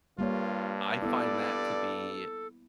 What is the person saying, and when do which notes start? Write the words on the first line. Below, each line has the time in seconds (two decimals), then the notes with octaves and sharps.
I find that to be
0.19 G2 G3 A#3 F4 C#5
1.02 B3 E4 A4 D5